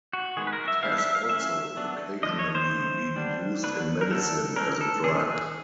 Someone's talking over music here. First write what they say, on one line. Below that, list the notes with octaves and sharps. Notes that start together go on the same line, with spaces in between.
It has also occasionally been used in medicine as a drug.
F#4
D#3 G#3 B3 G#4
B4
A#4
E5
E3 G3 B3 D4 F5
E5
F5
E3 A3 C#4 E5
F#3 B3 D4
D3 F3 A3 D#5
C#5
C5
C#3 F3 A3
G3 B3 D4
D3 F#3 B3 D4 B4
A#4
F#3 A3 D4 A4
E3 G#3 C#4 A#4
A4
C#3 F3 A#3 D4 G#4
G#4